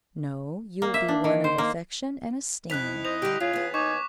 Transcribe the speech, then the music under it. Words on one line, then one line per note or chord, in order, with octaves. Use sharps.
"No, you will be one of affection and esteem."
A#3
E5
D4
D#3
C5
A#3
F2 D#4 E4 F#6 B6 F7
C5 D#5 F7
D3 G3 G4
F#2 F4 G#4
D#2 B3
D#4 G#5 C#6 D6